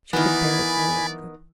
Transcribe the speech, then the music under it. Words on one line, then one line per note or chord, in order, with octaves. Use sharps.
She could bear it no longer.
D#3 E3 B3 E4 D5 G#5 B5